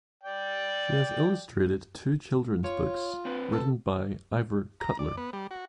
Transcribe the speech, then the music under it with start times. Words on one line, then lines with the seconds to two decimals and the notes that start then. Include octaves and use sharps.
She has illustrated two children's books written by Ivor Cutler.
0.23 D5 G5
2.64 F4 C#5
3.25 C4 D4 B4
3.53 A4
4.80 A#5
4.99 D5
5.17 B3
5.33 G3
5.51 F#4